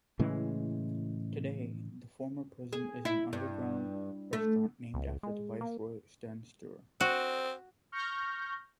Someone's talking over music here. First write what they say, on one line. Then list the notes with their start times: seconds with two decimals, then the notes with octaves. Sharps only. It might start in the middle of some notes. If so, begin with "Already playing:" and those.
Today the former prison is an underground restaurant named after the viceroy Sten Sture.
0.19 A2 C#3 E3 G#3
2.73 G#4
3.05 E4
3.33 G2
4.33 A3
4.94 C#2
5.23 G#3
5.61 A#3
7.01 C4 F#4
7.92 C#6 F6 G6 A#6